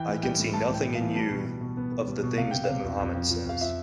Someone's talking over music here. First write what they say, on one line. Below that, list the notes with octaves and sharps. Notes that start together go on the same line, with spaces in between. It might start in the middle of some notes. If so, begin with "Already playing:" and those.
I can see nothing in you of the things that Muhammad says.
Already playing: E3 G5
A2
G3 G5
A2
A2 A5
A2 G5
B3
F5
E3
G3 A5
B2
B2
B2
B3
B3
G3
B2
C3 F5
C3 G5
F5
C3
F2
F2
F3
F3
F2 F5
F3 E5